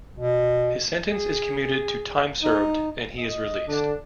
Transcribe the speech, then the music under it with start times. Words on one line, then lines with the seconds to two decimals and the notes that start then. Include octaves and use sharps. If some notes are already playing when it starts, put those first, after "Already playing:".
His sentence is commuted to time served, and he is released.
0.19 B2
1.12 G#4
2.43 D#4
3.17 D#5
3.68 D3 D4